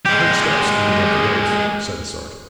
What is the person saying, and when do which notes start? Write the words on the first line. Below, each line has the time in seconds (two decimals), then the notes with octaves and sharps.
'I heard steps beating up the road, sir,' said the sergeant.
0.05 G#3 G4